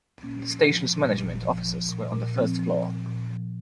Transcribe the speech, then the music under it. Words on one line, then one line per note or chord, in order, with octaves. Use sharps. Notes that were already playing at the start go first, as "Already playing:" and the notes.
The station's management offices were on the first floor.
A#2 A#3 C#4
F3
F3
A#2
A#2
F3
F3
A#2
A#2
F3 C4
F3
A#2
A#2
F3